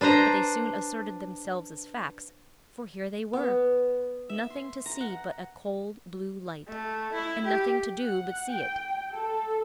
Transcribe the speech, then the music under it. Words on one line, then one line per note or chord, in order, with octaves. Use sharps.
But they soon asserted themselves as facts, for here they were!--nothing to see but a cold blue light, and nothing to do but see it.
D4 B4 C5 A#5
B3
E5
C6
A#5
F#5
A3
E4
G4
F#5
G5
A4